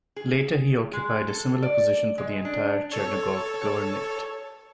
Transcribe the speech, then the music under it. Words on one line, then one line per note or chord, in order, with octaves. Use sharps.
Later he occupied a similar position for the entire Chernigov Governorate.
G#4
G#3
A4
D5
G#3
D4
A4 C#5